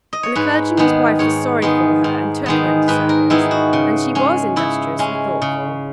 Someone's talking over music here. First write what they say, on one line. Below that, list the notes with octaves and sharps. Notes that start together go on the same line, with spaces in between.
And the clergyman's wife was sorry for her and took her into service; and she was industrious and thoughtful.
D#5
C#5
G#2 B4
D#3 G#3 B3
G#2 C#5
D#3 G#3 B3
G#2
D#3 G#3 B3
G#2 B4
A#4
D#3 G#3 B3 E4
F#4
C#3
G#3 C#4
C#3 E4
G#3 C#4
C#3